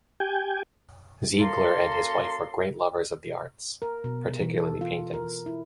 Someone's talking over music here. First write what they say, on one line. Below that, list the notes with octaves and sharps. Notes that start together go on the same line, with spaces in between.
Ziegler and his wife were great lovers of the arts, particularly paintings.
G4 G5 G#5
F#2 A#3 A4 A#5 C6
A#4
B2
E3
A4
F4
A#4
E4